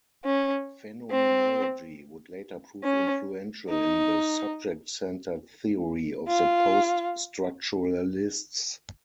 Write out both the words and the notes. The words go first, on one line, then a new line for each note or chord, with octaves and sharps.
Phenomenology would later prove influential in the subject-centred theory of the post-structuralists.
C#4
C4
C#4
D#4
F4